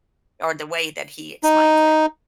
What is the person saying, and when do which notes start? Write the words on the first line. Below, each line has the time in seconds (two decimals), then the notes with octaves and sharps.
or the way that he explains it.
1.44 D#4